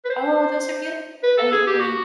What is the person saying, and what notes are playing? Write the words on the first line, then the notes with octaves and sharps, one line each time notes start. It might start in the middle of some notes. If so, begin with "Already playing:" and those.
Oh, those are beautiful. I My
B4
C5
B4
A4
G#4
G4
F#4